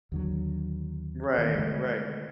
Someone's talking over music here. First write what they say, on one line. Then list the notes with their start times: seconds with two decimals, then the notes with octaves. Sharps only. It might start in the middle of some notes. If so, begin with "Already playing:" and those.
Right, right,
0.12 D#2 D3 F#3
1.38 D#3 B3
1.55 D3 G#3 A3